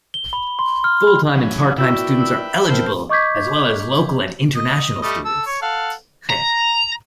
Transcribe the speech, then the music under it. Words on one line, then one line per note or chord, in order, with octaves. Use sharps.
Full-time and part-time students are eligible, as well as local and internationals students.
G7
B5
C6
F6
B5
E3 F#3 C#4
A#2 D4 E4 F#4 B4 E5 G5 E6
A#4 C5 A5
D#5 C#6 D6 G6 G#6 B6
D#5
G3 A3 D#5
A4 E6
C#5
A4 F5 F#5
A#5